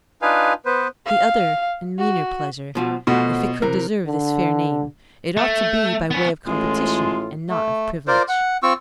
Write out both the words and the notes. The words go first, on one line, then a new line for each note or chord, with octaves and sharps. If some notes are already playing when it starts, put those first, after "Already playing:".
The other and meaner pleasure, if it could deserve this fair name, it ought to be by way of competition, and not of privilege.
D4 D#4 F4 B4 F5 G#5
B3 B4 C5
F5
F#4
B2 F3 F#4
B2 F3 A3 F#4
C3 E3 A#4
D3
A3
B3 C#4
A1 A2 G#3 F4
A3
F4 A#4 C5 D5
F#5
C4 F4 C#6 E6